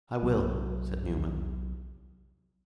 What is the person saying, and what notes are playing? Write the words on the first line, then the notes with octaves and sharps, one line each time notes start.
'I will,' said Newman.
B1 C3 F#3